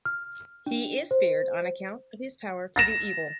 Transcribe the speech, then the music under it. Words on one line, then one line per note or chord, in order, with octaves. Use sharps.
He is feared on account of his power to do evil.
F6
D4
C5
A6 A#6 E7